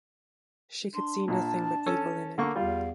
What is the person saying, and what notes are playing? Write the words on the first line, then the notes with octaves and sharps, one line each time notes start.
She could see nothing but evil in it.
D4 C6
A#1 A#2 A5
C#4 A4
D3 A#3 C#6
E2 G3 F4 F5